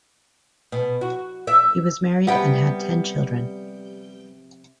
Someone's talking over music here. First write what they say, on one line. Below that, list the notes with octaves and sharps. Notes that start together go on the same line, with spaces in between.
He was married and had ten children.
B2
F#4
E5
C3 G3 B3 F#5 G5